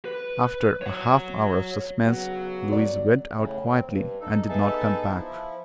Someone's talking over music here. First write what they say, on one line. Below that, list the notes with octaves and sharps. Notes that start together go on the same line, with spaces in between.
After a half-hour of suspense, Louise went out quietly, and did not come back.
B4
C#5 F#5
C#3 F#3 B3
D5
A2 C#3
C4
G2
D#4 A4
B3 D#4 G#4 A4 E5 A5
F3 E4